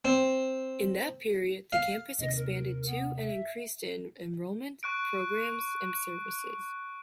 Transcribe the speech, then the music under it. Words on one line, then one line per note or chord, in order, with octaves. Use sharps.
In that period the campus expanded to and increased in enrollment, programs, and services.
C4
F5
D#2 C3 D#5
A#4
B3
E5
C#6 F#6 D7